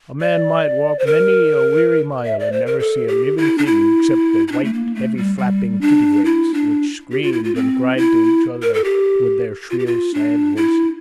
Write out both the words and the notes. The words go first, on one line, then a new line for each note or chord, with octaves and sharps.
A man might walk many a weary mile and never see a living thing except the white, heavy-flapping kittiwakes, which screamed and cried to each other with their shrill, sad voices.
D5
C5
A#4
E5
D5
C5
A#4
A4
G4
E4
D4
E4
E4
D4
A3
A#3
A3
G3
G3
D4
E4
D4
G4
F4
E4
F4
C4
E4
A#4
A4
G4
F4
G4
F4
D4
E4